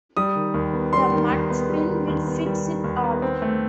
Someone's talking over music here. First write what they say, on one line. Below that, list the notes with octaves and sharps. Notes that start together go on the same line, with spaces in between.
The Rudd spin will fix it all.
G3 D#6
D#3
D#2
B3
G3 C6
D#3
D#2
B3
G3
D#3
D#2
B3
G3
D#3
D#2
B3
C4
A3